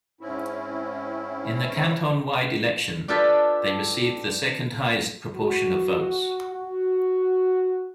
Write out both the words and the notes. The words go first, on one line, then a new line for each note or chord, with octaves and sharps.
In the canton-wide election they received the second highest proportion of votes.
G#2 C4 C#4 E4
D4 F4 G4 A4 B4
F#4
F#4